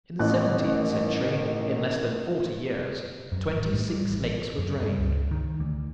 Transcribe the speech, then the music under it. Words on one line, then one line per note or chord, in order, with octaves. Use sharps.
In the seventeenth century, in less than forty years, twenty-six lakes were drained.
A1 D#3 F#6
F#2
A1
A2
G3
A1
F#2
G2
C#2
D#3
D2